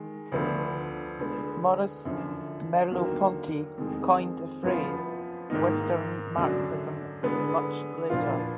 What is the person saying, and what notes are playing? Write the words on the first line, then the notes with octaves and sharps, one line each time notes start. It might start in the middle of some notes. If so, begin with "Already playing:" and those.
Maurice Merleau-Ponty coined the phrase "Western Marxism" much later.
Already playing: D#3 G#3
D2 D3 F3 B3 D4
D3 G#3 B3
F#2 D3 F3
D#2 D3 F#3 A#3
F2 D#3 G#3
F#2 F3 B3 F4
G#2 D#3 A#3 D#4
F#2 D3 F#3 D4
D3 G#3 B3
A#2 F3 B3 D4 F4